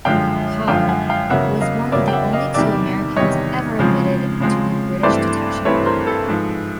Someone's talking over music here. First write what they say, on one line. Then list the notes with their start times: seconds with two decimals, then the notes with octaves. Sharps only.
Carr was one of only two Americans ever admitted to the British Detection Club.
0.05 F#2 D3 F3 G#3 F5 G5
0.68 F#2 D3 F3 G#3 F5 G5
0.88 F#5 G#5
1.09 F5 G5
1.30 E2 C#3 F#3 A#3 E5 F#5
1.61 D#5 F5
1.92 E2 C#3 F#3 A#3 D5 E5
2.08 G5
2.13 E5 F#5
2.33 D#5 F5
2.54 E2 C3 D#3 G3 D5 E5
3.16 E2 C3 D#3 G3 C#5 D#5
3.79 C#3 F3 G#3 C4
4.40 C#3 F3 G#3 C4
5.03 G2 E3 A3 C4 C5 D5
5.65 G2 E3 A3 C4 B4 C#5
5.86 A#4 C5
6.07 A4 B4
6.28 G#2 F3 G#3